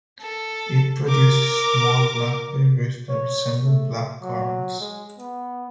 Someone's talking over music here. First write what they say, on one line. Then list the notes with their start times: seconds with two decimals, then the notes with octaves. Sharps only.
It produces small black berries that resemble black currants.
0.21 A4
1.08 A#4 D6
3.09 C#5
3.65 A3
4.22 F#3
4.80 G#3
5.18 B3